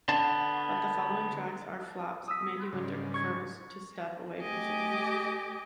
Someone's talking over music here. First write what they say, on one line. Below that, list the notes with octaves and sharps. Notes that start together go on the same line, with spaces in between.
But the following tracks are flops, Mandy Winter prefers to step away from singing.
D3 B3 D4 A5
D#6 E6 B6
G#2 C#3 G3
C#6 G#6
A3 G4 D#5 G#5 D6